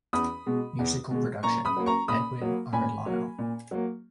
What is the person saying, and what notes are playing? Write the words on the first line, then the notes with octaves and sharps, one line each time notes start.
Musical Production: Edwin Arellano.
E2 B5 D#6
B2 G#3
E2
B2 G#3
A#2 A#5 C#6
B5 D#6
F#3 A#3
A#5 C#6
A#2 B5 D#6
F#3 A#3
A#2 G#5 B5
F#3 A#3
A#2
F#3 A#3